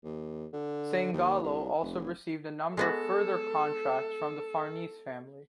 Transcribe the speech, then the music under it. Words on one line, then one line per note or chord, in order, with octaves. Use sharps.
Sangallo also received a number of further contracts from the Farnese family.
D#2
D3
D#2
C2
F1
G#3 B3 F#4 A4